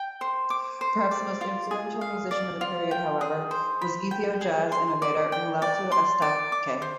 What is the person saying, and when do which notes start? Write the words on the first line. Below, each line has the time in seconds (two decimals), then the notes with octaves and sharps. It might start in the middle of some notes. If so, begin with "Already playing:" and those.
Perhaps the most influential musician of the period, however, was Ethio-jazz innovator Mulatu Astatke.
Already playing: G5
0.21 C5
0.50 D6
0.81 C5
1.11 D5
1.41 F4
1.71 G#4
2.01 F5
2.31 D5
2.61 F4
2.91 G5
3.21 G#4
3.51 C5
3.81 B5
4.11 G5
4.41 G#4
4.72 C6
5.02 D5
5.32 G5
5.62 D5
5.92 C6
6.22 D5
6.52 D6
6.82 C5